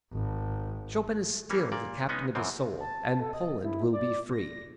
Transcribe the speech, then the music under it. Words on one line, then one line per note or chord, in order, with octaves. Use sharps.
Chopin is still the captain of his soul--and Poland will be free!
G#1
E3 G3 A#3 C#4
A#2 A#3 D5
G#3 B3 C#4 D#4
F#2 C#3 E3 F3 C4
A5
A4
D#5
E4
D5
A#6